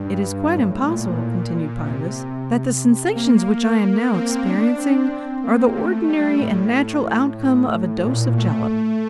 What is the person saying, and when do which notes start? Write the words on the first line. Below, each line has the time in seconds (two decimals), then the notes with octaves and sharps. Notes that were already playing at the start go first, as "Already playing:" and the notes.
"It is quite impossible," continued Pybus, "that the sensations which I am now experiencing are the ordinary and natural outcome of a dose of jalap."
Already playing: G2
0.22 G2
0.55 A2
0.87 A#2
1.85 C3
3.15 A#3
4.13 C4
4.46 D4
4.78 C4
5.43 A#3
5.76 A3
6.08 G3
6.41 A2
7.39 A2
8.04 A#2
8.37 A3